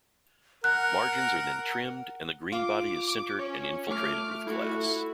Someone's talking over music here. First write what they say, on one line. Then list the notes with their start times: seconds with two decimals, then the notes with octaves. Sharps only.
Margins are then trimed and the greenbody is sintered and infiltrated with glass.
0.64 A#4 F#5 F#6
2.52 F4 D6
3.39 C#4 C#5
3.88 A3 D6 F6
4.47 A3 E4 F#4